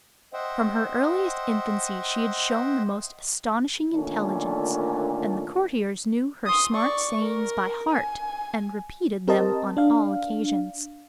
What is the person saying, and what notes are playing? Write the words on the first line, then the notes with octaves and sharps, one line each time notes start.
From her earliest infancy she had shown the most astonishing intelligence, and the courtiers knew her smart sayings by heart, and repeated them on all occasions.
C5 D#5 E5 F#5 G5
A#2 D3 D#3 A3 C#4 D4
C6 D#6
D5 C#6
A#4
G#5
C4 G4 A#4 C5 D#5 A5
D4 F5